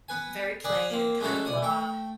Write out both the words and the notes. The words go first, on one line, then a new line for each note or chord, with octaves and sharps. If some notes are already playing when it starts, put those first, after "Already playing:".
very plain and kinda, blah,
B3 B4 G#5
G#4 B4 D5 D#5
A#3 C4
G#3 A3 C#4 E4 F#4 A4
B1 D5 D#6
A3 G5